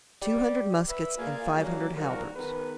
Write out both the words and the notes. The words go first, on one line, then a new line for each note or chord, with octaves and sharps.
"Two hundred muskets and five hundred halberds."
G3
B4 E5
A#3 F4 G#4 D5 F5 G#5
F#3 G3 A3 A#3 C#4 D#4
D#3 F3 G3 F#4 A#4
D#3 B3 G#4 B4